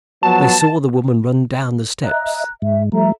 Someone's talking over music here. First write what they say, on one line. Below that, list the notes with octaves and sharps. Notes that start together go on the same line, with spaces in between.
They saw the woman run down the steps.
F3 F#3 B3 A5
D#5 E5 A#5 F#6
G#2 G#3 E5
F3 G3 A3 A4 E5 A#5